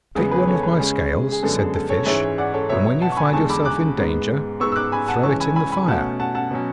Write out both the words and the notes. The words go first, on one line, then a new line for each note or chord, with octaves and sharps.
'Take one of my scales,' said the fish, 'and when you find yourself in danger, throw it in the fire.
E2 C#3 G#3 B3
G#4 B4
A4 C#5
G#4 B4
C#3 G#3 C#4
G#4
F#2 D3 G#3 B3 A4
G#4
A4
A4 C#5
G#2 E3 G#3 C#4 C#5 E5
D5 F#5
A4 C#5
B2 F#3 B3 C#5 E5
F#5 A5
C#6
G#5 B5
E2 D3 G#3 A5 C#6
B5 D6
D6 F#6
G#2 G#3 B3
G#2 G#3 B3 C#6 E6
E6
D6 F#6
G#5 B5
F#5 A5
C#3 E3 G#3 C#4 A5 C#6
G#5 B5
G#5 B5
G#5 B5
B2 A3 C#4 F#5 A5
F#5 A5
F#5 A5
B2 F#3 C#4